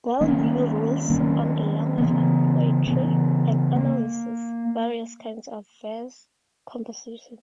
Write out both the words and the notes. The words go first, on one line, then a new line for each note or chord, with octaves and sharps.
Boileau rules on the language of poetry, and analyses various kinds of verse composition.
D#3 F#3 A#3 C#4
D#3 F#3 A#3 C#4
C#3 E3 B3
C#3 E3 B3
A#3